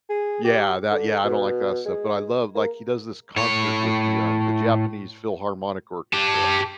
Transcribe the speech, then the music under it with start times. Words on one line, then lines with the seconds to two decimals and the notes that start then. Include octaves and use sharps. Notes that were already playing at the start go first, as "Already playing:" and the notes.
Yeah, that yeah, I don't like that stuff, but I love like, he does this concert with the, um, the Japanese Philharmonic Orchestra
0.09 G#4
0.44 G4
0.91 D3
1.24 B2
1.85 G#3
2.55 A#3
3.37 A2 C#5
6.13 G4 A5